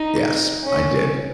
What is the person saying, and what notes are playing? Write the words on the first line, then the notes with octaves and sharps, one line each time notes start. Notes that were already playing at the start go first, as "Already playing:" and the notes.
yes, I did.
Already playing: D#4
C#4